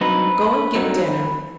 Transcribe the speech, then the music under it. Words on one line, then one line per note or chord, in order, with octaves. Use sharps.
Go and get dinner.
G2 F#3 C4 D#4 B4
G2 F#3 C4 D#4